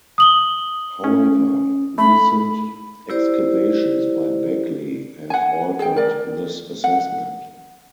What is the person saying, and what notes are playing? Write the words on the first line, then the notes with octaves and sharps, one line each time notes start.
However, recent excavations by Begley have altered this assessment.
D#6 F#7 G7
C#4
A3 B5
E4 G4 C5 D5
F#5 G#5
G#4 G5
A#4 D5
F#5